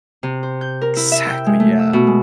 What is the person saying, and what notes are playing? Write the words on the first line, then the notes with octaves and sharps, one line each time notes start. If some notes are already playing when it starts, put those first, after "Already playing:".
Exactly, yeah.
C3
C5
G6
A#4
E4
E5
G5
G#3
A3
E6
B2
G#3